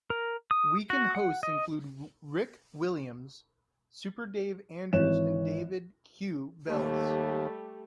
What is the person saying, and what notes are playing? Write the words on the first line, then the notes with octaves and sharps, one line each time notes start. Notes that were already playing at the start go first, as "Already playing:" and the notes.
Weekend hosts include Rick Williams, "Super Dave" Andrews and David "Q" Velez.
A#4
D#6
F#4
F#5
D#5
G#1 E3 C#5 F#6 E7
D#2 G3 A3 G4